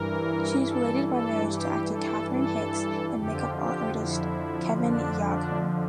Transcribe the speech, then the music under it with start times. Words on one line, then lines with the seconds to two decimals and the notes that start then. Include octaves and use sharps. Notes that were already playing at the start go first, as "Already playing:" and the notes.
She is related by marriage to actor Catherine Hicks and make-up artist Kevin Yagher.
Already playing: G2 E3 A#4
0.64 A4
1.06 A4
1.48 G4
1.89 A4
2.30 A4
3.13 F2 D3 F3 G4
3.54 G4
3.96 E4
4.79 D4
5.21 D4